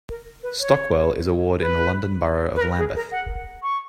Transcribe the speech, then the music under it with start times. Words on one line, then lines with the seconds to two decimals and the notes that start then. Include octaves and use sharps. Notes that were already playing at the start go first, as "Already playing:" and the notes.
Stockwell is a ward in the London Borough of Lambeth.
0.10 A#4
0.43 B4
0.60 C#5
1.60 B4
2.56 B4
2.61 A#4
2.78 G#4
2.95 A#4
3.12 F#5
3.63 C#6